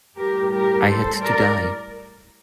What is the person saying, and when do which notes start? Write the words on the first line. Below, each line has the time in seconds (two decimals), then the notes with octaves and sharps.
I had to die.
0.18 A2 G3 G4 A#4
0.52 G4 A#4
0.86 A4 C5
1.20 A#4 D5